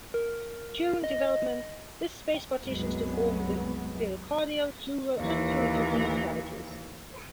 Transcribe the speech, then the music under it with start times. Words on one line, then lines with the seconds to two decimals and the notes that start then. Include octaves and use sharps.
During development this space partitions to form the pericardial, pleural and peritoneal cavities.
0.14 A#4
1.04 D#5
2.60 C2 F#2 F#3 G#3 B3
5.17 D#2 E3